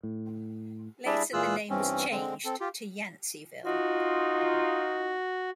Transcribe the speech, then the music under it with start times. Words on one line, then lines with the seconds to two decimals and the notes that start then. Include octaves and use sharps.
Later, the name was changed to Yanceyville.
0.03 A2
1.06 G3 D4 E4 G#4 D5 E5
1.33 A#2 E3 F4 G#4 E6 F#6
1.70 G2 E3 C4 C#4
2.11 D3 G#3 C4
2.45 C4 A4
2.60 F4 G4
3.65 D#4 F4 F#4